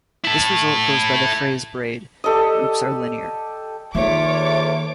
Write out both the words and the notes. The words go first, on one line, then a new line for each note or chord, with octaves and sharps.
This result goes by the phrase braid groups are linear.
E4 A4
G4 A4 D5 D#5
E2 D#3 A#3 F4 A4 C#5 E5 D6